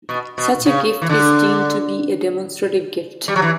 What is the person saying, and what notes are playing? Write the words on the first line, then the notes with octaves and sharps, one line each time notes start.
Such a gift is deemed to be a demonstrative gift.
B2
B2
C#3
E3
D3
G3
F#3
E3